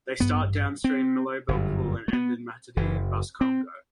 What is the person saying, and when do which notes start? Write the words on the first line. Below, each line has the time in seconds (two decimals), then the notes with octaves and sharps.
They start downstream Malebo Pool and end in Matadi in Bas-Congo.
0.20 A1 G2 B3
0.84 C4
1.48 G1 F#2
2.08 A3
2.13 B3
2.76 F#1 F#2 E3
3.41 C4